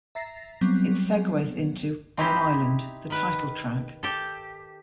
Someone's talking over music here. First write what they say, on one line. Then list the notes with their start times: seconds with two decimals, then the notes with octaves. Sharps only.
It segues into "On an Island", the title track.
0.15 E5 A#5 A6 A#6 C7
0.61 F#3 G3 B3 C4
2.17 C4 D#4 E4 G4
3.10 D#3 B4
4.03 G4 A4